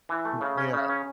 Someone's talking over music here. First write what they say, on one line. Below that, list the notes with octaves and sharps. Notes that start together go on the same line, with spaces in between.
Y yeah,
E3
A3
C#3
C#4
C#3
C#4